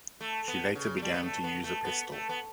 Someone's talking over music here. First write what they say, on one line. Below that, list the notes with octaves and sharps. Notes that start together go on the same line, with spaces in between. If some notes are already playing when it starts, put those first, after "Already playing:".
She later began to use a pistol.
A3
B3
C#3
A3
G3
B3
A3
B3
A3
B3
A3
B3